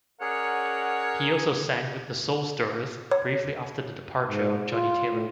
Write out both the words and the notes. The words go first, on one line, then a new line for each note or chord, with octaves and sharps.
He also sang with The Soul Stirrers briefly after the departure of Johnnie Taylor.
C#4 G#4 A#4 C#5 D5 F#5
C#5
G#2
F4
A2